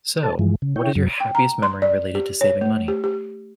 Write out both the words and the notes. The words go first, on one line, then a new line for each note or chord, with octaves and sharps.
So, what is your happiest memory related to saving money?
A4 A5
G2 E3 F3 G#3
C#3
E4 C#5 G5
F#2 F#3
G5
A#5
C6
D5
G4
C#5
A3
G4
G4